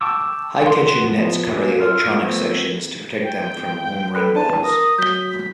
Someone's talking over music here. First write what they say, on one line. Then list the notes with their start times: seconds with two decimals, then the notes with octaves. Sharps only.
High-tension nets cover the electronic sections to protect them from home run balls.
0.01 G5 A5 C#6 D6 E6
0.67 F#5 C6
1.04 F3 B3
1.47 F#3 G3 A#3 C#4
1.79 F4 A4 F6
2.06 F3 A3 B3 C4
3.24 G5
4.15 A4 B4 B5 F#6
4.36 D4 D5 A5 D#7
4.63 A#4 D#6 A#6
4.98 F#3 G6 B6 G7